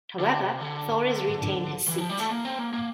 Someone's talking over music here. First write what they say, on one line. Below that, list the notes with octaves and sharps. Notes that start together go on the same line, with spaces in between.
However, Thorez retained his seat.
D3
C3
D3
E3
F3
G3
A3
A#3
C4
A#3
A#3